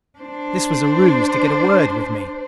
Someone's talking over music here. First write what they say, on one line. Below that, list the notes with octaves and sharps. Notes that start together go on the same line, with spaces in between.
This was a ruse to get a word with me.
D4 C5